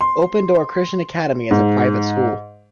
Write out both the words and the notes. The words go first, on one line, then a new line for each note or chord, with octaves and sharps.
Open Door Christian Academy is a private school.
C6
G#2